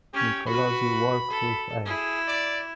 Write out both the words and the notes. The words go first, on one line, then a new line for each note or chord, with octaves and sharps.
Nicolosi worked with A.
C#4 G4 C#5
F#4 B4 B5
A4
E4 G#4
D5